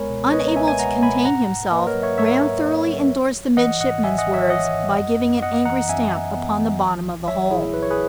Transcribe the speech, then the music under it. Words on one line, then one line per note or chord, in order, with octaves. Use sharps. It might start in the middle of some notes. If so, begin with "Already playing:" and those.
Unable to contain himself, Ram thoroughly endorsed the midshipman's words by giving an angry stamp upon the bottom of the hole.
Already playing: C#2 G#3 B3 A#4 C#5 G#5 B5
B2
C#5
B3 B4 D#5
A#5
C#2 E5 G#5
G#5
G#3 F#5 A#5
B2 G#5 B5
G#2 F#5 A#5
G#2
A#3 B4 D#5
A#4 C#5
F#3
C#5 E5
G#2 C#5 E5
G#2
A#3
F#3
G#1
G#1
E3 D#5 F#5
G#2 D#5 F#5
G#1 E5 G#5
D#5 F#5
G#1
C#5 E5
E3 D#5 F#5
G#2
F#2
F#2
B3 D#5 F#5
E3 F#5 A#5
F#2 E5 G#5
F#2
B3
E3
A#1
A#1
F#3 C#5 E5
A#2 E4 G#4
A#1 B4
C#5
G#4 B4